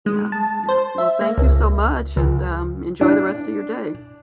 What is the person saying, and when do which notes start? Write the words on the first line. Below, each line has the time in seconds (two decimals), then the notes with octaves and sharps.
Yep, yep, well, thank you so much, and, um, enjoy the rest of your day.
0.06 G#3
0.32 A5
0.69 C5
0.98 E5
1.21 A#3
1.38 C#2
2.17 C#2
3.01 D4